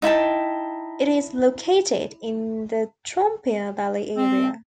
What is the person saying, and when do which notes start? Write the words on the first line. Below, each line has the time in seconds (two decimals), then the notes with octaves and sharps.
It is located in the Trompia valley area.
0.02 D#4 E4 G5 A5
4.16 C4